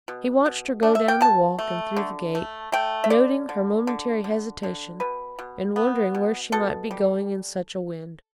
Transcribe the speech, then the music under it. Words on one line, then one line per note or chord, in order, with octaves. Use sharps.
He watched her go down the walk and through the gate, noting her momentary hesitation and wondering where she might be going in such a wind.
B2
B2
D4
E5
G5
B2 A5
A3
D3
A3
A3 G5
E5
D3 D5
D3
D3
D3
D3
B2 B4
B2
B3
B2
B2 A4
G3